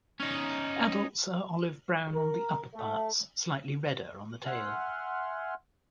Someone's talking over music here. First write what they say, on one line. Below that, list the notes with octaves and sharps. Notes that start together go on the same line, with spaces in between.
Adults are olive-brown on the upperparts, slightly redder on the tail.
C#4 D#4
A#4
A3
E5 F#5 G#5 C6 F6